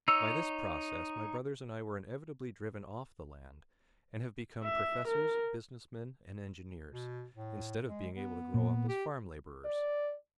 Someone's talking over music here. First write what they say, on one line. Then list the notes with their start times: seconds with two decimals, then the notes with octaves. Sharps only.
By this process my brothers and I were inevitably driven off the land, and have become professors, business men, and engineers, instead of being able to grow up as farm labourers.
0.08 D#4 C#5 E6
4.65 E5
5.08 A#4
6.92 B2
7.35 A2
7.89 G#3
8.15 B3
8.54 A#2
8.88 G4
9.65 D5